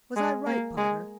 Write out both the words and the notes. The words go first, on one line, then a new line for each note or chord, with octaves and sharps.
Was I right, pater?
G#3
A#3
G#3